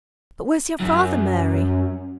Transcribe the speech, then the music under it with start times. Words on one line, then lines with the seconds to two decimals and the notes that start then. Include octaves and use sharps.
But where's your father, Mary?'
0.80 F#2